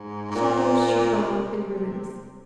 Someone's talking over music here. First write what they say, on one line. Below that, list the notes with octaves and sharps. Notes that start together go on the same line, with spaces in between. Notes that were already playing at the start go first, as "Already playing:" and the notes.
Shadows should dwell in ruins.
Already playing: G#2
G#2
A#2
C#3
C3